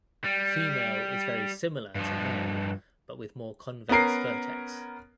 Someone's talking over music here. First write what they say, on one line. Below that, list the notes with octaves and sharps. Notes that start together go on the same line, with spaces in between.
Female is very similar to male but with more convex vertex.
G3
G2 F3
B3 C#4 A#4 C7